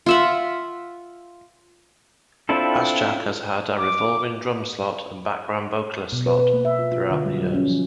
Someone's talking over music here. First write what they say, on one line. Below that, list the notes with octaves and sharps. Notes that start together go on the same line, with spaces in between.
Assjack has had a revolving drum slot and background vocalist slot throughout the years.
F4 E5 F#5
C4 D4 E4 F4 A4
D6
B2
B4
B4
A#3
E5
F4
F4
D3
G3
F#3
C#4
F3